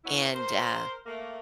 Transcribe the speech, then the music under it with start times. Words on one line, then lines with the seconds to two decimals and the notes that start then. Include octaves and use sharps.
and, uh,
0.05 E3 F#3 B3 C#4 E4
0.33 A#4 C5
1.06 A3 A#3